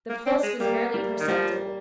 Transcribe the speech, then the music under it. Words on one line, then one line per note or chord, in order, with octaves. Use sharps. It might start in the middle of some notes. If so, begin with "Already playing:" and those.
The pulse was barely perceptible.
A#3
C4
G#3
G3 A#3
G3
D#3
F3 G3